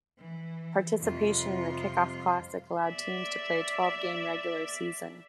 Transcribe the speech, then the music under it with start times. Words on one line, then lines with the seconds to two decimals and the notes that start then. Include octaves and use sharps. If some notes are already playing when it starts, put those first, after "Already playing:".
Participation in the Kickoff Classic allowed teams to play a twelve-game regular season.
0.18 E3
1.02 F2 C3 G3 F4
2.83 D5 E5